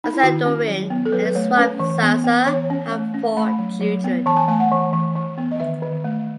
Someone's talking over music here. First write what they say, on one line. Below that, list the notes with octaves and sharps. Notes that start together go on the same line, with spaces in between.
Assadourian and his wife Zaza have four children.
D#4
E4
D#3 F#4
C#4
F#3
B3
A4
F#3 B4
B4
A3 C#5
C#4 B4
E3
B3
B3
E3 C#5
C#4
A3
C#4
A3 B5
F#3
F#3
B3
E3 A5
G#5
A3 G#5
F#5
E3
E3
E3
B3
D#5
D#3 E5
D#3
A3